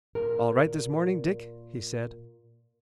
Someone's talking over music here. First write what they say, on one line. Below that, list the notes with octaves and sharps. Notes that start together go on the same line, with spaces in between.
"All right this morning, Dick?" he said.
A#2 A#4